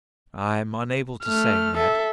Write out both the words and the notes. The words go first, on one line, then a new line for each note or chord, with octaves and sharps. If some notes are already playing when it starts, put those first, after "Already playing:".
"I'm unable to say, Ned."
A3 F6
A4 E5